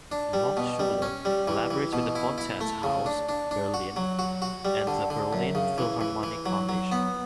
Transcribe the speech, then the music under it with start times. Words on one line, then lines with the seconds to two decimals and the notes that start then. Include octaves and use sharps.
The Hochschule collaborates with the Konzerthaus Berlin and the Berlin Philharmonic Foundation.
0.12 D4
0.33 G3
0.57 B2
0.80 G3
1.02 C#4
1.25 G3
1.48 E3
1.71 E3
1.93 B2
2.15 E4
2.38 E4
2.61 A3
2.83 C#3
3.06 D4
3.29 D4
3.51 D4
3.74 F#4
3.96 F#3
4.19 F#4
4.42 F#4
4.65 G3
4.87 D3
5.10 D3
5.33 F#2
5.55 C#3
5.78 E3
6.01 E3
6.23 E3
6.46 F#3
6.69 F#3
6.92 B3